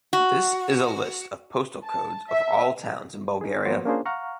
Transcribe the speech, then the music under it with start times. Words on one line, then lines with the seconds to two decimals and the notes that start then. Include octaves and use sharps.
This is a list of postal codes of all towns in Bulgaria.
0.13 F#4
1.83 A5
2.29 E5
3.41 D#4 G#4
3.65 F3 A#3 B3 F#4 C5 C#5
3.85 A#3 C#4 D4 F4 G#4 C5
4.05 F5 F#5 A#5 C#6 F6